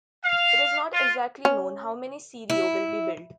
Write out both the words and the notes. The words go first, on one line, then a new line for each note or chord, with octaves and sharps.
It is not exactly known how many Sirio will be built.
F5
F4
C#4
E4